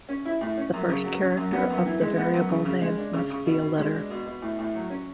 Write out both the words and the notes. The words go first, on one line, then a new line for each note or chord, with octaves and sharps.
The first character of the variable name must be a letter.
C#4
E4
A2
C#4
F#2
C#3
F#3
C#4
F#2
B3
F#2
E3
G#3
B3
F#2
C#3
C#3
G#3
D4
C#3
C#3
B2
B2
G#3
D4
B2
B2
A2
A2
F#3
C#4